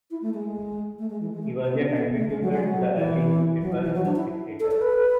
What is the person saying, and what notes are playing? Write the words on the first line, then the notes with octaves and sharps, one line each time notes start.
He was a contributor to the early newspaper "The Spectator".
E4
A3
G#3
A3
G#3
E3
G#3
A3
B3
C#4
D4
B3
A3
G#3
F#3
G#3
F#3
E3
F#3
E3
E3
F#3
D4
E4
A4
A4
B4